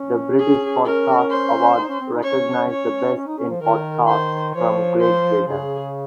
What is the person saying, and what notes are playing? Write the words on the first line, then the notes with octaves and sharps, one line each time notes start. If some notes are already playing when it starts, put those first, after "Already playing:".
The British Podcast Awards recognise the best in podcasts from Great Britain.
Already playing: C#4
G#4
C#4 A#4
C5
D#4
C#4
C4
D#4
C#4 C#5
C#5
C#4
D#4
C#4
F3
D#3 A#4
C5
F3 C#5
C5
C#3 G#4